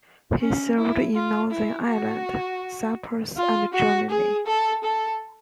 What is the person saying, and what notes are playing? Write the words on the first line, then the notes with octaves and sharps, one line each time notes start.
He served in Northern Ireland, Cyprus and Germany.
C#4
E4
F4
E4
F#4
F4
F#4
G#4
A4
A4